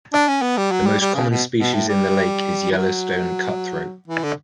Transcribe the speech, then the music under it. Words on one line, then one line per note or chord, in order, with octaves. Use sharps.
The most common species in the lake is Yellowstone cutthroat.
D4
C#4
B3
G3
F#3
G3
G3
C#3
B2
B2
A2
G3
E3
F#3
E3
D3